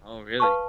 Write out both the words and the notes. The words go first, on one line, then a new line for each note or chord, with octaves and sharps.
Oh, really?
B4 F5 A5 C#6